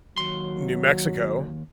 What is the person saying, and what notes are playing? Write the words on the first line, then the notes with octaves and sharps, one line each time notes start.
New Mexico
D#2 F#3 C6